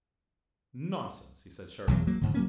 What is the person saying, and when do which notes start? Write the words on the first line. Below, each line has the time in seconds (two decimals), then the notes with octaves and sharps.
"Nonsense," he said, sharply.
1.87 B1 E2 F#3
2.07 F#3 A#3
2.21 D2 G#2 D3
2.34 F#3 A#3 C#4